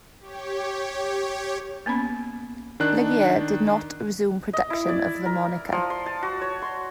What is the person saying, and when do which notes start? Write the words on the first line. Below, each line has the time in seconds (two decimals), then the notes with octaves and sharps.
Ligier did not resume production of the Monica.
0.20 G4 C#5
1.86 A#3 B3 C#4 B5
2.80 D#3 D4 F#6
4.53 D#5
4.70 E4
4.89 D5
5.26 A#4
5.72 F3
5.90 C6
6.06 A5
6.23 F#4
6.41 C#5
6.62 C6